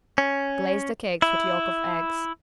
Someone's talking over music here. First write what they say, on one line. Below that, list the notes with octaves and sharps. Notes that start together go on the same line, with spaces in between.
Glaze the cakes with yolk of eggs.
C#4
E4